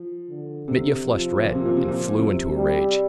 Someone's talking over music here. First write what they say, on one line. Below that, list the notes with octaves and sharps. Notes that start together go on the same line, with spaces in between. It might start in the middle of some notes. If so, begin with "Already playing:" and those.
Mitya flushed red and flew into a rage.
Already playing: F3
D3
C3
F3
A#2
C3
A#2
C3
A#2
C3
G3